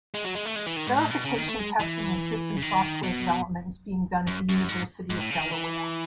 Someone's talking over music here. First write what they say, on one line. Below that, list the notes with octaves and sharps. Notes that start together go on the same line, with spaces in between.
Verification testing and system software development is being done at the University of Delaware.
G#3
F#3
G#3
A3
G#3
E3
D#3
G#2
A2
B2
C#3
D#3
A3
G#3
E3
C#3
D#3
B2
F#2
F#2
G#2
G#2
A2
C#3
D#3
E3